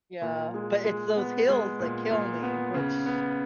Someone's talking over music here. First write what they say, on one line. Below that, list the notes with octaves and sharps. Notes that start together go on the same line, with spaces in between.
Yeah, but it's those hills that kill me, which
A#2
G#3
G#3
B3
G#3
A#2
A#2
B3
C#3
B3